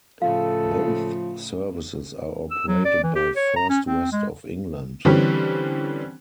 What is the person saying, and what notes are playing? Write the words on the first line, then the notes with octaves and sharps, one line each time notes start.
Both services are operated by First West of England.
A2 C#3 F3 A4 F5
E6
F#3
D5
E3
G4
C#5
A#5
C#4
C4
G#3
D3 E3 G3 C4 C#4